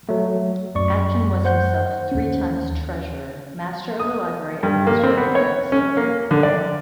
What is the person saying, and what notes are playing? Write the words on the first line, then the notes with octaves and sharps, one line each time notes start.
Atkin was himself three times Treasurer, Master of the Library and Master of Moots.
F#3 A3
F#2 D5 C#6
C5 F#5 G6
D#2 C#4
D#6
G2
A#3
C4
B3
C#5
C#4
A#3
D3
D5